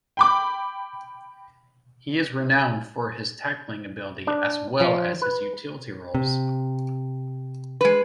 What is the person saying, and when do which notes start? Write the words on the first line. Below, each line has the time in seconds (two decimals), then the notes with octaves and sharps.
He is renowned for his tackling ability as well as his Utility roles.
0.17 G5 B5 D6
4.27 D4
4.81 F3
5.22 B4
6.15 C3
7.81 G#3 B4